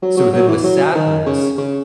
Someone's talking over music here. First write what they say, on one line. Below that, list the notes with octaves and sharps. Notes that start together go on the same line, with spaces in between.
so then with sadness,
F#3
F#3
F#3
E3
F#3
D#3
C#3
C#3